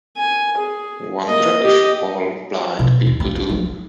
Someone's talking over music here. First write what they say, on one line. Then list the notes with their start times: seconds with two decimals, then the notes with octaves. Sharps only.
Wonder if all blind people do?
0.17 G#5
0.57 G#4
1.27 A#3 D#5
1.62 G4 D#5
2.79 B2
3.06 D#2
3.20 A#3
3.36 C#4
3.49 F#3
3.65 D#4